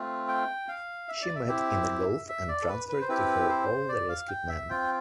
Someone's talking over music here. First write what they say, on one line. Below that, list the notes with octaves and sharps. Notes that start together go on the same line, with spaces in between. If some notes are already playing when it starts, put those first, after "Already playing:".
She met in the Gulf and transferred to her all the rescued men.
Already playing: A3 C4 F4
G5
F5
E5
D5
E5
C4 E4 G4
E5
D5
A4
B4
B4
C5
C4 E4 G4 B4
C5
D5
F5
G5
E5
C4 F4 G5